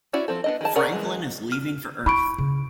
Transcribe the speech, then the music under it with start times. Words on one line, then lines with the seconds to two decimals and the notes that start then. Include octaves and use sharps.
Franklin is leaving for Earth.
0.13 C#4 E4 F#4 D5
0.28 F3 C4 A4
0.44 B3 D4 D#5
0.61 D#3 G#4 A5
0.76 C#4 G#4 A#4 D5 F#5
0.92 E3 G#3
1.52 F6
2.06 E4 B5 C#6 D7
2.38 C#3